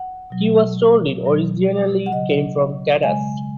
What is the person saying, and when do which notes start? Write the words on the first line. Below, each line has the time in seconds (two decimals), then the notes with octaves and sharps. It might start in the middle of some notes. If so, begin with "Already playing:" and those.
He was told it originally came from Tadas.
Already playing: F#5
0.30 B2 F#3
1.21 B2 F#3
2.06 F#5
2.11 C#3 F#3 D#5
3.03 C#3 G#3 G#5